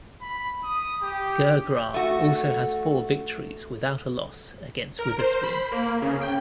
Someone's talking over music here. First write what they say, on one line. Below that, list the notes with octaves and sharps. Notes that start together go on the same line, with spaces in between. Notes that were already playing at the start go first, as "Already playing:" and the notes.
Girgrah also has four victories without a loss against Witherspoon.
B5
D#6
G4
A3 F#4
A#4
C5
B5
A#3
C#3
G5